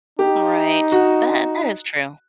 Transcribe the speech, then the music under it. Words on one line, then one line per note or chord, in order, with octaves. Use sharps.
Right. That that is true.
D#4 G4
F#4